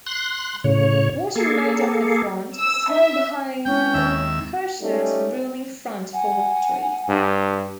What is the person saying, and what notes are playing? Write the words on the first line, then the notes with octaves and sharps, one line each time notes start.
What remained of the Front swung behind the Kirchners' ruling Front for Victory.
C6 F#6
A2 C#3 C#5
A#3 G#4 A4
E6
E5
G#3 C4 C#4 E4 G5
D#2 E5
G3 A3 C#4 D#4
F#5 G#5
G2